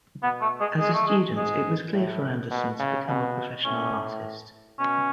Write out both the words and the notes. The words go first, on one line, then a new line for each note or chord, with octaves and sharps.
As a student, it was clear for Andersen to become a professional artist.
B2 B3
A3
G#3
G#3
A3
G#3
G#2 G#3
A2
B2
C#3
B2
A2 C#4
B2 C#4